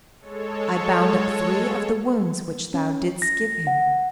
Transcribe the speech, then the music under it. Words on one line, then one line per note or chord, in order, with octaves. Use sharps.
I bound up three of the wounds which thou didst give him.'
G#3 A4 C#5
C#4
A#6
F#5